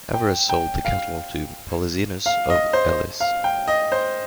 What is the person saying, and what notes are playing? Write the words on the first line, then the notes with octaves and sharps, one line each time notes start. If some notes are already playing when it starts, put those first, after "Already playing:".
Everes sold the cattle to Polyxenus of Elis.
G5
G5
F5
F5
D#5
C5
F5
G5
D#5
C5